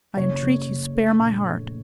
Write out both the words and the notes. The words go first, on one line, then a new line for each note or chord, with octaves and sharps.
I entreat you, spare my heart!
F#1 C#5
F#1
F#1
A3
A#1
A3